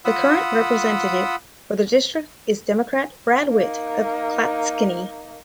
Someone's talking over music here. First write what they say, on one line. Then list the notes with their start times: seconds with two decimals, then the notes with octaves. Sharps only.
The current representative for the district is Democrat Brad Witt of Clatskanie.
0.05 F4 F#5 B5 D#6 E6
3.48 A#3 D#4